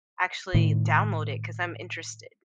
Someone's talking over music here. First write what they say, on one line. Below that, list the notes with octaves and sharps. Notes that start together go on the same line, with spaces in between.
actually download it 'cause I'm interested
A2 D#3